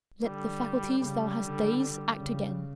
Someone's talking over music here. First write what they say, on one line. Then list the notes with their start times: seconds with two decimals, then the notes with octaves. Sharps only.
Let the faculties thou hast dazed, act again.
0.22 D3 G3
1.00 C#3 G3
1.39 D3
1.77 G3
2.16 C#3